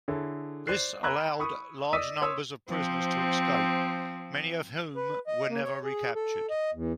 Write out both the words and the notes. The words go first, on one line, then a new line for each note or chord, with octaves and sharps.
This allowed large numbers of prisoners to escape, many of whom were never recaptured.
D3 E4 G#4 A4 C#5
C5 D5 F#6 C7
A#5 B5 E6 F#6 G#6
B5 C#6 D#6
D5 D#5 D#6 E6 B6 D#7
C#5 C6 C#6 D#6 E6
F3 C4
B4
D#5
A#3
C#5
G#4
A4
D#5
E2